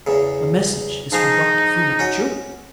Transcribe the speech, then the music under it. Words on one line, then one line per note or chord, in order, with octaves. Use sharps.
"The message is from Dr. Fu-Manchu!"
E2 C#3
F3 D#4 G#4 C5
C#4 F#4